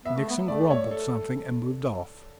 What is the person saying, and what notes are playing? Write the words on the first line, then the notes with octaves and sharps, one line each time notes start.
Nixon grumbled something and moved off.
B3 E5
A3
B3
A3 D5
D5
C#5
A4